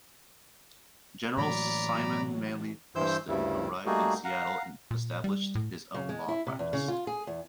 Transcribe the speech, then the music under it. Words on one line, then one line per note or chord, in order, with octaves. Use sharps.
General Simon Manly Preston, arrived in Seattle and established his own law practice.
A2 E3 F#3 A#3 D5 A#5 B5
G2 E3 E4 C5 E6 G6
D2 G2 C#3 G3 E4
G3 A3 A#3 D#4 F#4 G#4
F5 F#5 A#5
A#2
G3
A2
C#3
G#3
E4
C3
E2
C#3
F4
G#4
E2